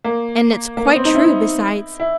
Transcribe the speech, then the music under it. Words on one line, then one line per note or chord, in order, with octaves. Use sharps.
And it's quite true besides.
A#3
A#3
B3
C4
D#4
E4
E4
E4